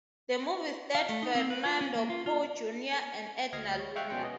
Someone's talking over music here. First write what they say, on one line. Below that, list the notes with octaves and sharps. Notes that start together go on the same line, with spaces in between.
The movie starred Fernando Poe Junior and Edna Luna.
F5
A3
D#4
C4
B4
F4
C#4
A#3
F4
F4
D2 D#5 F6 G#6 A#6 C7
C#5
E5 F5 G5 C#6 F6 F#6
B2 C#4 G5 C6 C#7
B3 C#4 D#5